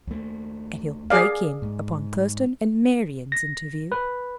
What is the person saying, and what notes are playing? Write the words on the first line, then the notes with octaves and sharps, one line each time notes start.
And he'll break in upon Thurston and Marian's interview.
D#2 A3
G#4 D5 F5
G#2
A#6
B4